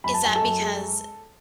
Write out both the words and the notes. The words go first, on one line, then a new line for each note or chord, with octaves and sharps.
Is that because
F#2 B5
A5
F#2 G#5
A4 A5
F#2
G#3